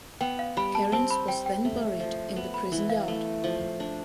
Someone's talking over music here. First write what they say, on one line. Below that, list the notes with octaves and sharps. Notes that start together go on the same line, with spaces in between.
Kerins was then buried in the prison yard.
B3 G5
F5
G3 B5
A5
C4 A5
B5
G3 G5
G5
A3
F3
B3
B5
E3
F5
A3
F3
D4